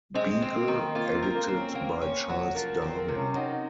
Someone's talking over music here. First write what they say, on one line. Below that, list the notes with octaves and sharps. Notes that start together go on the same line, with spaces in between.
Beagle, edited by Charles Darwin.
G#3 C4
C4
A#3
D#3
A#3 F4
C4
A#4
A#3
C4
C#4
A#3
C#4
F#3
F3 A#4
C4
A#4
C3
C#4
F#3 D#4